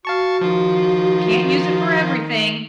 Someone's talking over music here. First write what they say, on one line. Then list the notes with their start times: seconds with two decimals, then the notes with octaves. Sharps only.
Can't use it for everything
0.05 F#4 F5 A5 C#6
0.41 D#3 F3 F4